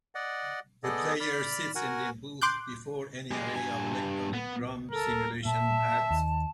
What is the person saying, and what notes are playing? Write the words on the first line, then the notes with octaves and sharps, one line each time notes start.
The player sits in a booth before an array of electronic drum simulation pads.
D5 D#5 F#5
B3 G#4 A4 D5 D#5
D5 B5 F6
F#4 A#4 F#5 G#5
C6 D6 F#6 G6
G#3 G4
G2 G#5
B3
A4 A#4
A#2 E5 A5
D#2